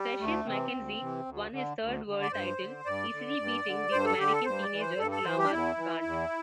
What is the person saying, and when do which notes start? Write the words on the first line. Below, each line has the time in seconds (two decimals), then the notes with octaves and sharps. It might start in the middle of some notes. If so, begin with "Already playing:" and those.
Precious Mackenzie won his 'third' World title, easily beating the American teenager, Lamar Gant.
Already playing: G3
0.19 D2 A3
0.46 C3 E3 C4
0.73 D2
1.00 C3 E3
1.26 D2
1.52 D3
1.80 D2
2.06 D3
2.22 D5
2.32 G2 C5
2.60 D3
2.85 G2 D5
3.12 D3
3.39 G2
3.65 D3
3.91 G2 C5
4.05 A4
4.18 D3 G4
4.32 A4
4.44 G2 C5
4.63 D5
4.72 E3
4.80 C5
4.98 G2 A4
5.11 A4
5.24 E3 C5
5.38 G4
5.44 D4
5.51 E2 E4
5.77 E3
6.04 E2